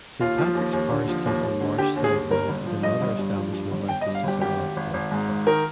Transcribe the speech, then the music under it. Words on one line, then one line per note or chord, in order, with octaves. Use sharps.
Saint Patrick's Parish Club on Marshside Road is another establishment licensed to serve alcohol.
D#2 F4
F3
D#2
D#2
D3
F3
D#2
D#2
D3
D3 G4
D#2
G#4
D#2
G1 A#4
G1
F3
G2 D#5
G1
G2
F3
G2
G1
G1 G5
D#5
G2
F5
G1 G4
G#1 G4
G#1
G#1
G#1
G#2
G#1
D#3 A#4